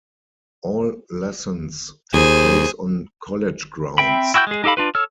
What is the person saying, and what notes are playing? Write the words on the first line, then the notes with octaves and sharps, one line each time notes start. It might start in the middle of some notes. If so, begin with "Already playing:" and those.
All lessons take place on college grounds.
D#2 G#4 C5
C4 E5 G5 B5
E4 F#4 G5 D#6 G6
G#3 G#4
D#4 G4 A4 F5 B5
D4 F4 B4
A4 C#5 E6 F6